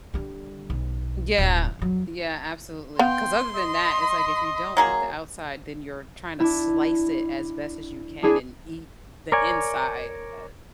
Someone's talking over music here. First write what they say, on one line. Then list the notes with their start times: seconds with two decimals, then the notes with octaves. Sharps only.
Yeah, yeah, absolutely. 'Cause other than that, it's like if you don't eat the outside, then you're trying to slice it as best as you can and eat the inside, uh,
0.14 D3 G3
0.70 B1
1.38 D1 G2
1.79 F2 F#3
2.99 B3 F5 G5 C6
3.55 D#5
4.77 F#3 A#3 G#4
6.40 D4 E4
8.23 D4 E4 G#4
9.32 A#4 C#5 D5 G#5